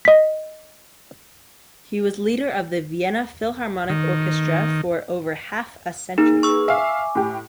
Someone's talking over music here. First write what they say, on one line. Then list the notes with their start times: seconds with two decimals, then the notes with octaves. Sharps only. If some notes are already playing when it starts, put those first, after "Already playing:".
He was leader of the Vienna Philharmonic Orchestra for over half a century.
0.05 D#5 B6
3.89 D#3
6.18 A#3 D#4 G#4
6.43 G#4 B4 C#6 E6
6.68 E5 F5 G#5 D6
7.15 A2 G4